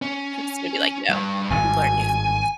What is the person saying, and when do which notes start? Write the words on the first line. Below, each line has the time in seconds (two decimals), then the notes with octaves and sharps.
It's gonna be like, no, you learn new things.
0.02 C#4
1.09 G2
1.51 G#1 G2 G#5